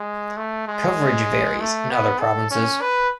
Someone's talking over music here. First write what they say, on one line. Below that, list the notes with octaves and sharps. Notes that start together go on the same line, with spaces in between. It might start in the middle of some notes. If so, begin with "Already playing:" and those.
Coverage varies in other provinces.
Already playing: G#3
A3
G#3
A3
B3
A4
C#4
B4